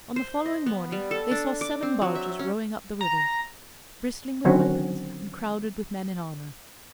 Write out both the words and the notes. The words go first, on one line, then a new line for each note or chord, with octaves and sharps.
On the following morning, they saw seven barges rowing up the river, bristling with weapons, and crowded with men in armor.
C5
D#5
B3
G3
A4
D4
D6
C4
F#3
E5
C#4
A#5
D3 D#3 F#3 C4 C#4 F#4